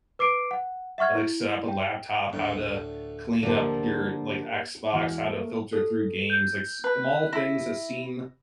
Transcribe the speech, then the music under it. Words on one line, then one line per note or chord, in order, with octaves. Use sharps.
like, s set up a laptop, how to clean up your, like, Xbox, how to filter through games, like, small things that seem
B4 D6 C7 D7
F#5
E5 F#5 C#6 F6 G#6
E4
G5
D2 A2 D4
D3 F3 A#3 G4 A#4
E1 E3 F#5 G#5 F6
A3 A#3
A4
G6
B4
E4 A#6